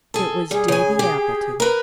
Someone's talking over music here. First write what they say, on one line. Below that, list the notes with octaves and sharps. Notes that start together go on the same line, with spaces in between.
It was Davy Appleton.
G#4 A4
G3 G#4
C#3 G#5
G4
A#4 B4